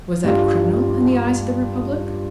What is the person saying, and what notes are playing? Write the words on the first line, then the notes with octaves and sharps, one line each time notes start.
Was that criminal in the eyes of the Republic?
G2 G3 F4